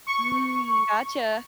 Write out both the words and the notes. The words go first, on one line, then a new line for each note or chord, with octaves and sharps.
Mm, gotcha.
C#6